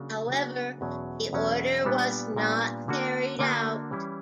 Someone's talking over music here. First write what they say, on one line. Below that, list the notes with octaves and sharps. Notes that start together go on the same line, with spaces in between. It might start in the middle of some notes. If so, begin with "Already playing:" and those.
However, the order was not carried out.
Already playing: C#3 F#3 A#3 D4 F#4
C#3 F#3 A#3 D4 F#4
E2 B2 F#3 C#4
E2 B2 F#3 C#4
A#2 G3 B3 D4
A#2 G3 B3 D4
D3 A#3 D4 F#4
D3 A#3 D4 F#4
E3 G3 C#4 E4